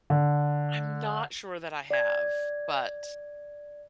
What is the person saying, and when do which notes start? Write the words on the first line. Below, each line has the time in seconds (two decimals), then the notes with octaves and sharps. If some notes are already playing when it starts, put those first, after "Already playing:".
I'm not sure that I have, but
0.10 D3
1.91 D5 G#6